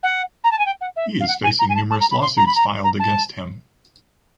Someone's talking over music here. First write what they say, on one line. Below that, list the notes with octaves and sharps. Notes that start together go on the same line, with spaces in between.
He is facing numerous lawsuits filed against him.
F#5
A#5
A5
G#5
G5
F#5
E5
F5
F#5
G#5
A#5
G#5
A5
A5
A#5
B5
C6
A#5
B5
A#5
A#5
A5